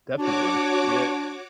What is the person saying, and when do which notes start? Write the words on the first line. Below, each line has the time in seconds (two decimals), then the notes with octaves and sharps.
Definitely. Yeah,
0.17 D4 F#4 C#5 D6